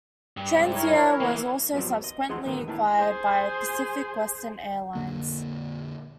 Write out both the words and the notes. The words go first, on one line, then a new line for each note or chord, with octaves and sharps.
Transair was also subsequently acquired by Pacific Western Airlines.
G2
G#2 C3 C4
E4 A#4 C#5
E3 A#3
G2 F3 F#3 B3 C5 D5
D#5
E2 F3 G#4 D#5 F#5 C6
F#2 A2 D3 D#3 A#3 B3
A3 A#3 E4 A5
G#4 C5
A#1 F2 D3 A#3